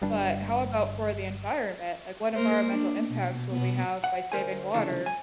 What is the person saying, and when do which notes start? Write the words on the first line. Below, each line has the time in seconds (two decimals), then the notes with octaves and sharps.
but how about for the environment? Like, what environmental impacts will we have by saving water?
0.01 G1 G2 G3 D4
2.34 A#3 A#4 C5
2.70 D4
3.08 B2
3.51 B2 B3
4.04 F#5
4.32 D2 A#4 C5 G#5
4.74 C2 C#3 E3 A3 D4
5.06 G#5